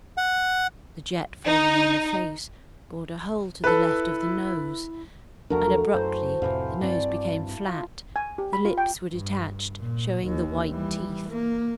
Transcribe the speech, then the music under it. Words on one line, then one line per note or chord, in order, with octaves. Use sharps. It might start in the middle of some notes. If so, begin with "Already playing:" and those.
The jet falling on the face, bored a hole to the left of the nose. And, abruptly, the nose became flat, the lips were detached, showing the white teeth.
F#5
D#4
E4 A4 B4
E2 F3 A3 D4 F#4 A#4 A#5
F#2 E3 C5
F2 A2 C3 E3 F5
G2 C4 D5
F4
G#5
G4
B5
F4
G5
G2
A#2
D#2
E3 G3
A#3